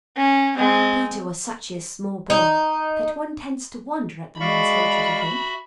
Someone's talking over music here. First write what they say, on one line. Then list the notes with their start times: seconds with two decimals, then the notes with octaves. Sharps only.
Peter was such a small boy that one tends to wonder at the man's hatred of him.
0.17 C#4
0.56 G#3 C4
2.30 D#4
4.40 G#3 F#4 D5 E5 F5 B5 C#6